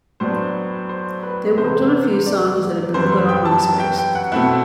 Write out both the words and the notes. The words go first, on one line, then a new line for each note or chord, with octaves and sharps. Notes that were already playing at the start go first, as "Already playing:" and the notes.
They worked on a few songs that have been put on MySpace.
A2 F#3 B3 D4 C5
C5
B4
C3 E3 B3 C5
D5
F#2 E3 G3 C5
C5
G5
A5
A5
G5
G5
F#5
B2 A3 C4 E4 F#5